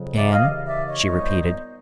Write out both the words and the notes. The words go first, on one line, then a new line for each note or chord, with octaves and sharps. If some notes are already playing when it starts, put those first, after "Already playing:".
"Dan?" she repeated.
Already playing: F2 C#3 F#3
D5 E5
D#5 F5
D#2 C#3 E3
D5 E5
C#5 D#5
A#2 G3 B3 D#4
C5